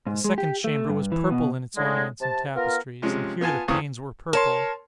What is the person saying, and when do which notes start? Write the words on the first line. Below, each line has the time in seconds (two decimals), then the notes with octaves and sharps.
The second chamber was purple in its ornaments and tapestries, and here the panes were purple.
0.07 G#2
0.24 G#3
0.38 G4
0.64 A3
0.89 G2
1.12 E3
1.31 B2
1.76 A2 D3 G#3
2.20 C3 A5
2.55 B3 F4 A#4
3.02 C3 F3 G#3 C#4
3.41 B3 F4 G#5 A5
3.68 E2 C#3 E3 C4 C#6 D#6
4.33 A#4 C#5 A5 C6